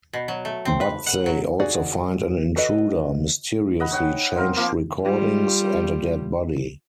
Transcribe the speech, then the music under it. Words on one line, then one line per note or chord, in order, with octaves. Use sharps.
But they also find an intruder, mysteriously changed recordings, and a dead body.
B2
F#3
A3
C4
B4
F#5
F#3
F#4 G#4 D5 F#5
F#4 A4 B4 D#5
D#5 F#5 B5
D#4 C#5 F#5 G5
C4 A#4 F5
F3 A#3
G3 F4